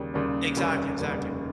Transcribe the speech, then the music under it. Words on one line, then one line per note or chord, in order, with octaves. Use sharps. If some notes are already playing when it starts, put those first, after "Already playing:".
Exactly. Exactly.
Already playing: D#2 C#3 G3
D#2 C#3 G3
F1 D#2 C#3 G3
F1 D#2 C#3 G3